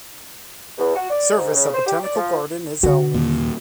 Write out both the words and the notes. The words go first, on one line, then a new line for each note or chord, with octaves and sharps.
Service at Botanical Garden is hourly.
E2
F#4
D5
G#2
C#3
C5
G4
D5
F3
D3 F#4
D#2 A#2